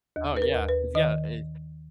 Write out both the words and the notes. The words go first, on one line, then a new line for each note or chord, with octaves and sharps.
Oh, yeah, is yeah, i
D#2
B4
A#4
D#2
B4
D#3 D#5